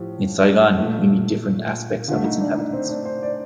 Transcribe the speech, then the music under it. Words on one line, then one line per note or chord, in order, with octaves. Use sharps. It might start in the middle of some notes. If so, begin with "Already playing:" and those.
In Saigon, we meet different aspects of its inhabitants.
Already playing: A2 F3 G4
A#2 A3
D3 A3 F4
D#4
D4
D#4
C4
D4
C5
D5